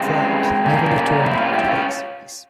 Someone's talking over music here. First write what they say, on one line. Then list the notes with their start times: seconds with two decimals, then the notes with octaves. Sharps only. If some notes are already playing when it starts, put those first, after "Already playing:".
The flight never returned to base.
Already playing: C#3 E3 G3 G#3 C4
0.65 A#2 G3 A#3 C#4
1.13 C#4
1.23 C4 E4
1.38 C#4 F4
1.53 E4 G4
1.68 C#4 F4